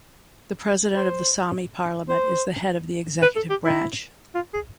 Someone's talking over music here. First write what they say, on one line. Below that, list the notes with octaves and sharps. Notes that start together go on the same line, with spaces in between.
The President of the Sami Parliament is the head of the executive branch.
C5
C5
B4
A4
G4
E4
F4
G#4